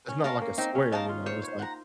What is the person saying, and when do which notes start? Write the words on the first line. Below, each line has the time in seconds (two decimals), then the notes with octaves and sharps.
It's not like a square, you know? It's like
0.08 C#4
0.24 C#4 A#4 F5 A5
0.42 A#3
0.58 C4 D#4
0.75 C#4
0.91 D#4 A#4 F5 A5
1.09 F4
1.26 C5 C#5
1.43 C5 C#5
1.59 F#5 A#5